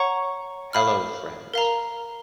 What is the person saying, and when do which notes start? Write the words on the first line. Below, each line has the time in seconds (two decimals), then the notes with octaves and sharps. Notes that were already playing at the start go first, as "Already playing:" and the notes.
Hello friends.
Already playing: C#5 F#5 A#5 C#6
0.73 F5 B5 F6
1.54 A#4 F5 A#5